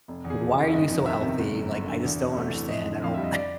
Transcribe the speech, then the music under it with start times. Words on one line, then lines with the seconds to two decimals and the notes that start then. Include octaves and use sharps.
Why are you so healthy, like, I just don't understand." I don't
0.08 F1
0.25 E2
0.30 G#4
0.41 F3
0.57 C#3
0.69 E5
0.73 G1 D#5
0.90 F2
1.06 D#3 E5
1.22 C3
1.39 G1
1.55 F#2
1.71 G1
1.87 D3
2.04 E2
2.20 C3
2.37 A3
2.52 E3
2.69 F2 D#5
2.85 D3
3.01 F2 F5
3.14 G3 E5
3.24 D#5
3.34 D5